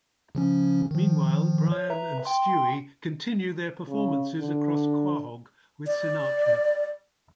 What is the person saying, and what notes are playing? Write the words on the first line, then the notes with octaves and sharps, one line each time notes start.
Meanwhile, Brian and Stewie continue their performances across Quahog with Sinatra.
C#3 F3 C#4
D#3 F3
C#5
B4 E5 A#5
G5 C6
C#3
D3
D5